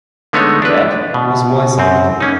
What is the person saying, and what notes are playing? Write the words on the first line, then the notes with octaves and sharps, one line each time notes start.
That was voice acting.
D3 G#3 A3 B3 D#4 C#5
D4 B4
B2
F#2 C4
A#3 C#4 D#4